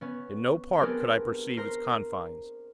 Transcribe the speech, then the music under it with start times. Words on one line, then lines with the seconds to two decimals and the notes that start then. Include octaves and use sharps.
In no part could I perceive its confines.
0.01 B3 C#4
0.81 B3 C4 D4 G4 G#4 A#4
1.57 A#4 C5 A#5